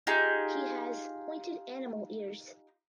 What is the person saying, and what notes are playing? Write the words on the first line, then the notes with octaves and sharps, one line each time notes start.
He has "pointed animal ears".
D#4 F4 G4 G#4